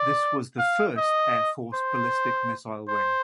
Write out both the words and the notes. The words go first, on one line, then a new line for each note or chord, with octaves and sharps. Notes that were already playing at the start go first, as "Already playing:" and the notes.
This was the first Air Force ballistic missile wing.
Already playing: D5
F5
D#5
C5
C5